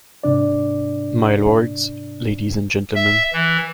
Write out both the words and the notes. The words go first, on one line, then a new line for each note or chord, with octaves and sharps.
My lords, ladies and gentlemen.
G#2 C3 D4 D5
E5
E3